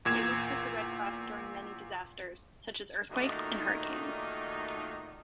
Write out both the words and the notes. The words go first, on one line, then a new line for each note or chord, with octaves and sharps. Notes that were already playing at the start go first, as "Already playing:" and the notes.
They worked with the Red Cross during many disasters, such as earthquakes and hurricanes.
E2 A#2 G#6 E7
A#2 D#3 A3 D4 D#4 F#4